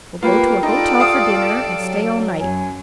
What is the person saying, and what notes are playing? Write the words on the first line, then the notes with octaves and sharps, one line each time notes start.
We'll go to a hotel for dinner, and stay all night.
A#3 F4 G4 B4
D#4 F4 A4 D5
F5 D#6 D7
F#3
F#2 G#5